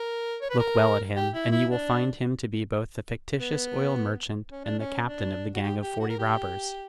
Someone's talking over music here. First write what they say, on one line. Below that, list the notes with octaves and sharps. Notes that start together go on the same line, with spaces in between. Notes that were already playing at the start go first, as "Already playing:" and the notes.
Look well at him, and you will find him to be both the fictitious oil merchant, and the captain of the gang of forty robbers.
Already playing: A#4
C#5
B4
A#4
G4
E4
E4
D4
B3
C#4
D4
C#4
D4
F#4
G4
G4
F#4
A#4
G4